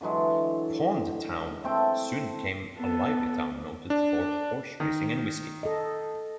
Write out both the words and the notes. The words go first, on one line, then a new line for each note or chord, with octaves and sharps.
Pond Town soon became a lively town noted for horse racing and whiskey.
D3 E3 F#3 G#3
A3 C4 G5 A5
B3 A4
D4
D#3
A4 D#5